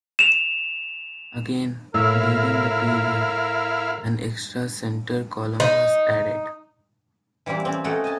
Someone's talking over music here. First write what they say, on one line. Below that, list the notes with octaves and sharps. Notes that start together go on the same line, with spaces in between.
Again, during that period, an extra center column was added.
E7 F7
A2 E4 A#4 F5 E6
D#4
E3 G3 A#3 C4 G4
C4 C#4
A3 F#4 A4 A#4 D#5 G#5
D#5 G#5 A5